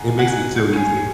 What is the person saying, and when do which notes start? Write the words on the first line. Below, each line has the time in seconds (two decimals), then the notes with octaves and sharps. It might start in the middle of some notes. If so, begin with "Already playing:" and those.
it makes it so easy.
Already playing: B3 D#4 G#4
0.19 F#5 G#5
0.73 C#4 E4 G#4